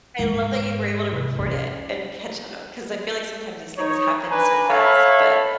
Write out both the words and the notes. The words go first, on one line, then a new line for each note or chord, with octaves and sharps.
I love that you were able to record it and catch on 'cause I feel like sometimes these things happen so fast, but,
G#2
C3
C#4
D#4 C#5
D4 B4 G#5 A#5
A4 C#5 E5 F5 B5